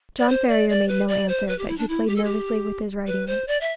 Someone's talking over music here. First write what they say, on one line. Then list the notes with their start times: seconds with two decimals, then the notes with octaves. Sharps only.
John Ferrier made no answer, but he played nervously with his riding-whip.
0.19 D5
0.29 C5
0.48 D5
0.69 D5
0.88 B4
1.08 D5
1.28 C5
1.48 B4
1.58 G4
1.68 E4
1.78 D4
1.89 E4
2.07 G4
2.16 A4
2.24 G4
3.07 B4
3.27 C5
3.48 D5
3.61 E5